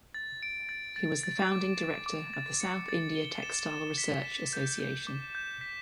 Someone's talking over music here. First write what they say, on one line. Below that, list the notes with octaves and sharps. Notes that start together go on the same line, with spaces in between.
He was the founding director of The South India Textile Research Association.
A6
D7
A6
A6
A6
D6
A6
D6
A6
C#7
A6
G7
E7
E7
B6
E7
G6
G6
D6
G6
B6